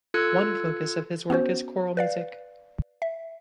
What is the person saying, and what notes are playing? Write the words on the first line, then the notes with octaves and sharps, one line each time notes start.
One focus of his work is choral music.
F4 A4 E6 F#6 G#6 C#7
B3 C#4 F#4 C5
B4 D5 F5
E5